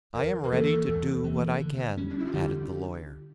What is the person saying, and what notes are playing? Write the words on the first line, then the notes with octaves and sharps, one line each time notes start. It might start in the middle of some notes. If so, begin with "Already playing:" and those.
"I am ready to do what I can," added the lawyer.
E2 A#4
A#4
E3 A#3 A4
E2
E3 A#3
D3
G3 C#4
D4
E4
F4
D3 G4